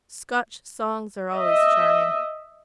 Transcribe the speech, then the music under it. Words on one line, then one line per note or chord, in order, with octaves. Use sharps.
Scotch songs are always charming.'
D#5 E5